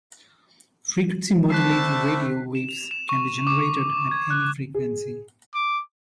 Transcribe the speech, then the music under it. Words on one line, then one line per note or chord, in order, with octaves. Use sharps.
Frequency-modulated radio waves can be generated at any frequency.
A3 C4 D4 E4 A5 F#6 B6 C7
E7
F7
E7
C#6
D6
G#6
F#6
G#4
D6